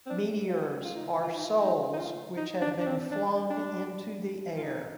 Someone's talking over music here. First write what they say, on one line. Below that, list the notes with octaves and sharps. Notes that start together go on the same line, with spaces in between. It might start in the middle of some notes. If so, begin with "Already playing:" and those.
Meteors are souls which have been flung in to the air.
C4
D4
F4
F4
D#4
F4
F4
D#4
F4
D#4
D#4
F4
D#4
D4
D4
C4
D4
D4
F4
D#4